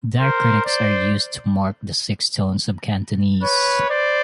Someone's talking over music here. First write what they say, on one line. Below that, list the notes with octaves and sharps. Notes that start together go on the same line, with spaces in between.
Diacritics are used to mark the six tones of Cantonese.
A#4 C5
C5 D5
B4 C#5
C5 D5